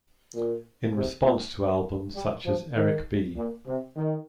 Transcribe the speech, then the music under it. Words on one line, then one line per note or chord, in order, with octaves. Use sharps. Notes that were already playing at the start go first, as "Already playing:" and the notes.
In response to albums such as Eric B.
A#2
C3
A#2
G3
F3
D#3
A#2
C3
D#3